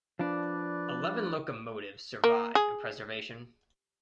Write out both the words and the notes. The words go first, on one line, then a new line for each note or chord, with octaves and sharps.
Eleven locomotives survive in preservation.
F3 D4 B4 D5
A#3
G#4